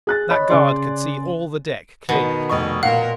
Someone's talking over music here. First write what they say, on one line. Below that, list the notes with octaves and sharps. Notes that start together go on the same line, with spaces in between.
That guard could see all the deck clearly.
G#4 F#6 A6
C#5 D#5 B5
C#3 C#4 G#4 D5 G#5 C6
B2 D#3
F1 D#5 C#6
A#2 A#4 F5 F#5